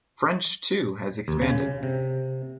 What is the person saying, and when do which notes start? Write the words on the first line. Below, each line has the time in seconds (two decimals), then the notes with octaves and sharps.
French too has expanded.
1.28 D#2
1.42 C#3
1.83 C3